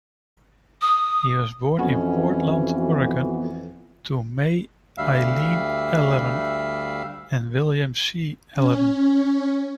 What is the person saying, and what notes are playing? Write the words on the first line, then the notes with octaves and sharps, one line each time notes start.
He was born in Portland, Oregon to May Eileen Ellern and William C. Ellern.
D#6
F2 E3 B3 C#4 F#4
D2 G3 E5 F5
C#4